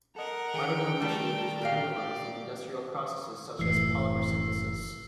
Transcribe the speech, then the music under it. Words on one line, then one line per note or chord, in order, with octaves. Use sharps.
Radical initiators are utilized in industrial processes such as polymer synthesis.
A4 A#4 D#5 F#5
D#3 G#4 G5
G3 A3 A#4 A5
A#2 G4 F5
D5
F#1 A2 E3 E6 C7